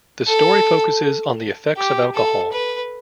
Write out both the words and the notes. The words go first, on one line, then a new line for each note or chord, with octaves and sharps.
The story focuses on the effects of alcohol.
A4
G4
A4
B4